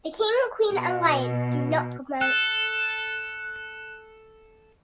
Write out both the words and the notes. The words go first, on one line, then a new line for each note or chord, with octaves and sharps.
The king, queen, and lion do not promote.
B2
A4 F#6